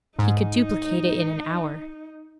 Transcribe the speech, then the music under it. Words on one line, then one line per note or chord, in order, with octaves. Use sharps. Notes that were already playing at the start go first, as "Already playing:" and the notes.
He could duplicate it in an hour.
G#2 D#4